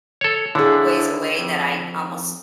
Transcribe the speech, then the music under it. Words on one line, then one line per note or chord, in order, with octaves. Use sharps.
ways away that I almost
A4 C#5
D3 D4 E4 G#4 C#5
F2